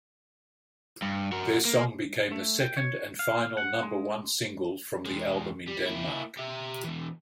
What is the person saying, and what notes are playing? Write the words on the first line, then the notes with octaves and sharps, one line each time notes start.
The song became their second and final number-one single from the album in Denmark.
G2
F#4 A#4
A#3
A3
G5
C#5
F5
F#5
G#3
E2 G#3
G3
A#3 E4
G4 E5
B2 E3